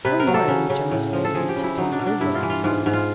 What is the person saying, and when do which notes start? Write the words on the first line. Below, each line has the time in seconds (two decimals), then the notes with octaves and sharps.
No more is Mr Musgrave's matutinal visit out of order.
0.05 C3 B4
0.19 A#4
0.27 F#3
0.34 A4
0.48 C#3
0.70 C#3
0.91 A2
1.13 F3
1.25 A4
1.34 F3 G#4
1.49 G4
1.56 C#3
1.64 E4
1.78 F#3 D#4
1.92 D4
1.99 B2
2.06 D4
2.21 G2 E4
2.35 F4
2.42 E3
2.50 F4
2.64 G#2 F4
2.86 G#2
2.93 F4